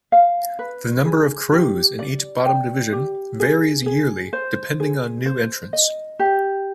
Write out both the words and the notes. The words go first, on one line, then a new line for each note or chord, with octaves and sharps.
The number of crews in each bottom division varies yearly depending on new entrants.
F5
B4
G#4
G4
D5
G5
G4
G#4
G#4
C5
G#4
C5
D#5
G4